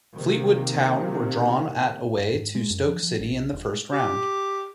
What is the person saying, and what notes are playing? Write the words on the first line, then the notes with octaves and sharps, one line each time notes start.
Fleetwood Town were drawn at away to Stoke City in the first round.
C3 D#3 A#3
G2
G#2
G#3
F#2
F3
F3
A1
B1
D#1
G#3
G4